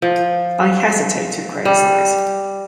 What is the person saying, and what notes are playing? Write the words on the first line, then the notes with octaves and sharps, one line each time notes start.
I hesitate to criticise.
F3
G3